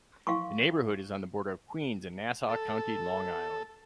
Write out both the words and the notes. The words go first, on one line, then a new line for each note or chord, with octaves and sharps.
The neighborhood is on the border of Queens and Nassau County, Long Island.
F5 C6 C#6
A4